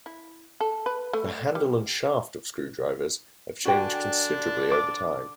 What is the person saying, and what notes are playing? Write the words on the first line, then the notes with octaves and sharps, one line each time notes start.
The handle and shaft of screwdrivers have changed considerably over time.
E4
A4
B4
A3
G3
D3 D4 F#4 G5 G#5
D6